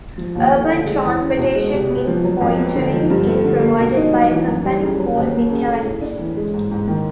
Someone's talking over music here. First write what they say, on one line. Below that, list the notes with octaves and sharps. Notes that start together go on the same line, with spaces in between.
Urban transportation in Poitiers is provided by a company called Vitalis.
F3
D#2
A3
D3
G#3
E2
C#4
B2
G#3
C3
B3
F3
F#3
F2
B3
D3
F3
G2
A3
D3
A#3
B2
D#4
F#3
E3
F#2
G3
C#3
F#3
D#2
A#3
C#3
A3
A2
D4
E3
G#3
G#2
G#2
D#3